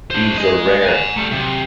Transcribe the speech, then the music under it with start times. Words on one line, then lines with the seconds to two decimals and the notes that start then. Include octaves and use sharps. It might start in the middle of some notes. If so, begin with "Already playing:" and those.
These are rare.
0.11 D4 C5
0.38 D#5 G#5
0.86 G#5 A#5
1.16 G3 A3
1.31 C3 F#3